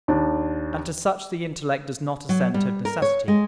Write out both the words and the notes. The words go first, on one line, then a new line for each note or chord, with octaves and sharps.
And to such the intellect does not assent of necessity.
D#2 D4
F#3
G3
A#4
C#5
G#3